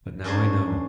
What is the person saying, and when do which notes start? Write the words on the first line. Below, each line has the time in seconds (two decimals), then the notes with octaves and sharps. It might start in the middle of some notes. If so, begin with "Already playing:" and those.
But now I know.
0.24 F#2 C#4 D4 G#4 C5